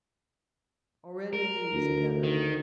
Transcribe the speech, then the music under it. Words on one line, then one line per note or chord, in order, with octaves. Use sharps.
Already he was better.
A#4
D2
D#3